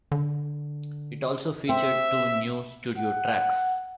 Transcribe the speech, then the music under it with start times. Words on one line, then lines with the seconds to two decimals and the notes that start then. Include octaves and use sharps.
It also featured two new studio tracks.
0.12 D3
1.69 C4 E5
2.98 F#5